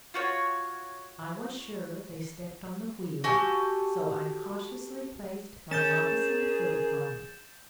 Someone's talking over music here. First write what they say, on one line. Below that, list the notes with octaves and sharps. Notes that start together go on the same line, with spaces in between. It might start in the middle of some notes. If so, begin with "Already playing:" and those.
I was sure they stepped on the wheel, so I cautiously placed my moccasined foot upon it.
F4 F#4 C#5
F#4 G4 A4 G#5
C#4 G#4 A#4 G6 A6 E7